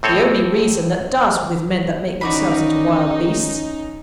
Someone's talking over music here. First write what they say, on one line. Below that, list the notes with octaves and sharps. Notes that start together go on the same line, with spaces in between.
'The only reason that does with men that make themselves into wild beasts.
A2 C4 A4 C#5 G#5
D#3 C#4 D#4 F#4 D5 B5